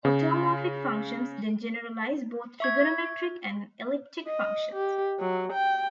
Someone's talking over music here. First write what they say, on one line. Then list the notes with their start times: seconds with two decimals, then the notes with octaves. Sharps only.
Automorphic functions then generalize both trigonometric and elliptic functions.
0.05 C#3
2.60 E5 C#6 G#6
4.27 D#5
4.73 G4
5.19 F#3
5.52 G5